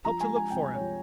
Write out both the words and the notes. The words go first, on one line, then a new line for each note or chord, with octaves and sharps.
Help to look for him!
F3 A#5
G#3 G#5
G#3 G#5
C2 G5
G#3
C#5
F3